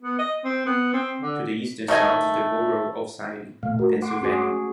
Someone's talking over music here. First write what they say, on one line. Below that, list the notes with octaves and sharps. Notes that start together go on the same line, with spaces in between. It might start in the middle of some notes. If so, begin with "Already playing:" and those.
To the east and south is the borough of Sayre, Pennsylvania.
B3
D#5
C4
B3
C4
D3
D#3 A3 D#5 G#5
A#2 A3 F5
F#4 A#4
F#5 C6 D6
C#4 F#4 G#4